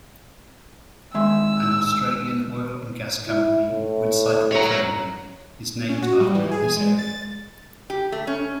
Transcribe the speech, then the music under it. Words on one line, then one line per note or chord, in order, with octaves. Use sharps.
An Australian oil and gas company, Woodside Petroleum, is named after this area.
D#3 G#3 E5 E6
E4
A2
C#5 A#5
C#4
F#4
G3
E3
G#4
G#5
G#3
A6
G4
A3
C#4